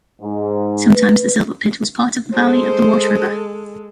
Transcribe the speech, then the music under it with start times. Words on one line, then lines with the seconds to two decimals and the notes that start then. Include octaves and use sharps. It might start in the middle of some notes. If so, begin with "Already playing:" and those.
Sometimes the Silver Pit was part of the valley of the Wash River.
0.22 G#2
0.93 B4
2.33 G#3 A4 C5